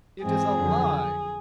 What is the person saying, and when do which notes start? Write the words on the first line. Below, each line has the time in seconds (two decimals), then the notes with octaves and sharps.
"It is a lie!"
0.22 G#2 E3 G#3 C4 G#4
0.56 F2 D3 F#3